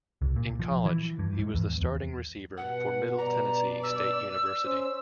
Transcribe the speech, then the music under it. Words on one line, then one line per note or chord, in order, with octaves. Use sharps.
In college, he was the starting receiver for Middle Tennessee State University.
C2
A#2
F3
E3
G2
G#2
E2
E2
G2 B2 F#5
D5 A#5
E6
C#4 C5